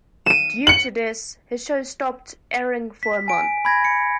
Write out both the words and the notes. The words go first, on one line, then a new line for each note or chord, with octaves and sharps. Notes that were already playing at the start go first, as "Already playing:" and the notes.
Due to this, his show stopped airing for a month.
D#7 E7
C#7 F#7
B6
G#5 D7
B5 G#6 A#6
C#7